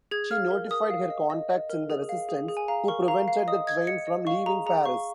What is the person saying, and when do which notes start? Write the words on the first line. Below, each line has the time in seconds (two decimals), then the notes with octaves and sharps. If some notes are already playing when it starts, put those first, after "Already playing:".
She notified her contacts in the Resistance, who prevented the train from leaving Paris.
0.11 G#4 G#6
0.31 F5 F6
0.51 A#4
0.71 A#4 D#6
0.90 F5
1.10 D#5
1.30 D#5
1.50 D#5
1.70 A#4
1.90 G#4
2.09 F5
2.29 G#4
2.49 G#4
2.57 G#5
2.68 F5 A#5
2.88 A#4 C#6
3.08 F5 A#5
3.28 F5
3.48 D#5 D#6
3.67 D#5 G#6
3.87 D#5 C#7
4.07 D#5
4.27 F5 C#6
4.46 G#4 A#5
4.66 G#4 A#5
4.85 F5 C#6